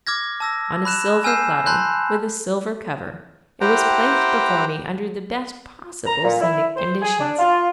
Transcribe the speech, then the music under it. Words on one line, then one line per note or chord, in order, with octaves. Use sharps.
On a silver platter, with a silver cover, it was placed before me under the best possible scenic conditions.
D6 F6 G#6 A#6
A5 E6 A#6
B5 F#6 E7
G#5 E6 F6 G6 C7 E7
A5 B5 C6 F#6 G6
E4 G4 C5 F#5 G5 A#5
A#5
A#2
E4
C5
G#4
D4
F4